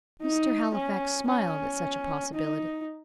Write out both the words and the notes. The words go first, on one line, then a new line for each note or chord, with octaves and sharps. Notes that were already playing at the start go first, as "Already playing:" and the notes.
Mr. Halifax smiled at such a possibility.
D#4
C#4
C#4
D#4